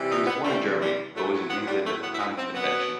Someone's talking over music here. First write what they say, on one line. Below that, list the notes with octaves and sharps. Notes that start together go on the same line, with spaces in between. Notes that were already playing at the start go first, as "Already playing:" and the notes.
He was born in Germany, but was in England at the time of invention.
Already playing: C3 E3 G3
D#4
B3
C3 E3 G3 A3
G3
A2 F#3 A3
A3
B3
G3
A2 F#3 A3
B3
E4
D#4
C4
B2 F#3 B3